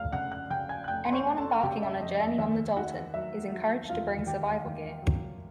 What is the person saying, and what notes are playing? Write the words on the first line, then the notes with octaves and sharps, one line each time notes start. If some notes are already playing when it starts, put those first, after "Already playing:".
Anyone embarking on a journey on the Dalton is encouraged to bring survival gear.
Already playing: F1 F2 F5 F6
C#3 F#5 F#6
F#5 F#6
C#3 G5 G6
G#5 G#6
F#6
F1 G5 G6
C6
C#5 C#6
F1
A4 A5
C#3 G4 G5
E5
F2 D#5
E5
D#2 E5
D#3 F#4 F#5
F#3 E5
F#3
E1 F4 F5
D#2 G4 G5
D#2
F#3